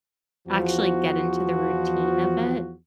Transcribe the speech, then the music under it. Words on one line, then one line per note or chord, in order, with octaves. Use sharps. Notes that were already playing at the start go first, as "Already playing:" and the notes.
actually get into the routine of it,
E2 F3 F#4